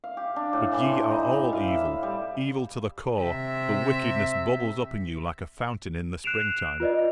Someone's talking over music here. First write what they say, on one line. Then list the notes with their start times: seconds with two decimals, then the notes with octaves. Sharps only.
But ye are all evil--evil to the core--the wickedness bubbles up in you like a fountain in the spring-time.
0.04 F5
0.17 G4
0.36 D4
0.53 A2
0.72 E3
0.84 C6
1.10 D#4
1.26 E3
1.53 F5
1.67 E5
2.03 G3
3.18 C3 E5
6.24 F#6 C7 D7 E7 F7
6.80 F4 B4 D5 D#5